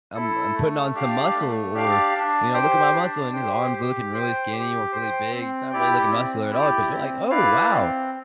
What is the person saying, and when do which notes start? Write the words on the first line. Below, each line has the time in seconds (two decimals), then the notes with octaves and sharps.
I'm, I'm putting on some muscle” or, you know, “look at my muscle” and his arms looking really skinny or really big. He's not really looking muscular at all, but you're, like, “Oh, wow,
0.15 E4 A4
0.55 A3
0.94 D4 G4 D5 F5
1.35 A3
1.74 D4 G4 D5 F5
2.14 D4
2.54 G4 C5 G5
2.93 D4
3.33 G4 C5 G5
3.73 G4
4.12 C5 G5
4.52 G4
4.92 C5 G5
5.32 C4
5.71 E4 G4 D5 G5
6.11 C4
6.51 E4 G4 D5 G5
6.91 C4
7.30 E4 B4 D5 F5
7.71 C4